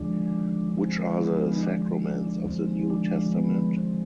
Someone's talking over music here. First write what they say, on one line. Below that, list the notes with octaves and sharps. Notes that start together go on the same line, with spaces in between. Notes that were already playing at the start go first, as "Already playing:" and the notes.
Which are the sacraments of the New Testament?
Already playing: D#2 D3 F3 G#3 D4
C4
B3
F4
D#4
D4
D4
D4
D#2 D3 F3 G#3 C4
D4
B3
C4